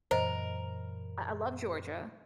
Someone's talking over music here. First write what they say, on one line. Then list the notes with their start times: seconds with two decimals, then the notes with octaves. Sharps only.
I I love Georgia,
0.11 F#2 A#2 E3 A#4 C5 D#5